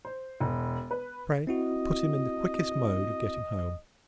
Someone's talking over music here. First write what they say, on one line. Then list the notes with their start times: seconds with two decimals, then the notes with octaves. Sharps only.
Pray, put him in the quickest mode of getting home.
0.05 C5
0.41 E1
0.91 B4
1.47 C4 E4 F#4 D#5